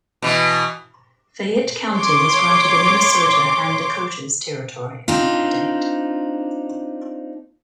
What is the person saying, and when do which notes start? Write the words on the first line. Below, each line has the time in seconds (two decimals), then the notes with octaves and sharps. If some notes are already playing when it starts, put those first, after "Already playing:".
Fayette County was granted the Minnesota and Dakotas territory on that date.
0.22 B2 E3
1.94 C#5 C6 D6
5.08 C4 D4 D#4 F4